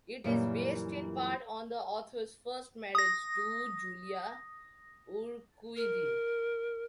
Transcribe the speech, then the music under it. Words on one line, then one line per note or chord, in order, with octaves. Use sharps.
It is based in part on the author's first marriage, to Julia Urquidi.
F#2 A#2 E3 G3
D#6 A#6
A#4